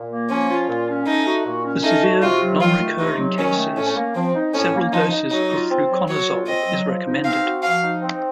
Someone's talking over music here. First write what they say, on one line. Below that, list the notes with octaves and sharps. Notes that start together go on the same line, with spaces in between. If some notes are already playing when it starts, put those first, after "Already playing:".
For severe nonrecurring cases, several doses of fluconazole is recommended.
Already playing: A#2
A#3
F3 C#4
F4
A#2
C#4
A3 D#4
F#4
A#2
C#4
A3 D#4
F#4
C3 F4
F#3
D#3 F4
A3
C3 D#4
F#3
D#3 C#4
A3
A2 C#4
A#3
F3 C4
D#4
A2 C#4
A#3
F3 D#4
D#4
F#3 D#4
F4
C4
F#3
F#3 C#5
F4
C4 D#5
F#3
F3
D#4
C4 F5
F#4
F3 F5
D#4
C4